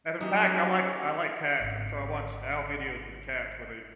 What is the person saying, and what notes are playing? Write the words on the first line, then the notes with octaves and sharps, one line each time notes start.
and in fact, I like t I like cats, and so I watch owl videos with the cats where they
F#3 A#3 C#4 D#4 G4 E5
G#1 D3